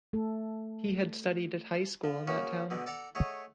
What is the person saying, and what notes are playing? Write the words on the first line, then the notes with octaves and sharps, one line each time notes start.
He had studied at high school in that town.
A3 A4
F3
C#3 A#3 C#4 F#4
B2 D3 G#3
A4 D5 F#5 A#5
A3 G#4 C#5 D#5 F#5